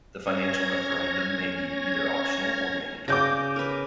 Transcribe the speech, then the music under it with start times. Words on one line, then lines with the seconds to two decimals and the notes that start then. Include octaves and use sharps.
The financial referendum may be either optional or mandatory.
0.27 C#4 C#5 G#6 A#6
3.08 C#3 D5 D6 G6 A#6
3.56 A#4 B4